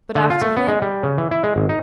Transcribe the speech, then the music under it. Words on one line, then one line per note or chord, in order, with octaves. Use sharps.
But after him?'
D3
F4
A3
B3
G#3
G3
C#3
E3
E4
G#3
G#1
D#4